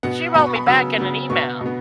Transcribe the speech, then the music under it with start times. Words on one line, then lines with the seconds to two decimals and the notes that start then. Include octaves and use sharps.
She wrote me back in an email,
0.03 B2 B3 F#5
0.34 B2 B3 B5
0.46 C#6
0.56 B5
0.66 C#3 F#3 B3 E6
0.98 C#3 F#3 B3
1.30 B2 B3 C#6
1.61 B2 B3